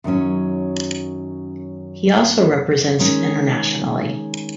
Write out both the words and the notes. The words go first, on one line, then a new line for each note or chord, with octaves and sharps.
He also represents internationally.
F#2 D#3 F#3 C#4
D#3 G#3 C#4